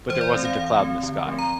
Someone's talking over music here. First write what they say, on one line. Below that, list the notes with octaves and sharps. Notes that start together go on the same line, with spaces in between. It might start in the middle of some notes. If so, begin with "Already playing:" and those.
but there wasn't a cloud in the sky
E3 C5
D5
A3 C4
F5
E3 F5
A3 C4
D3
F3 A3 C4
A#5